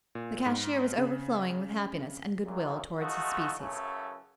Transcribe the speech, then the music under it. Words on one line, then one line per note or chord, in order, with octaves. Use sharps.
The cashier was overflowing with happiness and goodwill towards his species.
A#2
G#2
C#3
F#2 A#2
F3 G#3 A3 D#4 F#4
F#2 C#3 E3 A3 C#4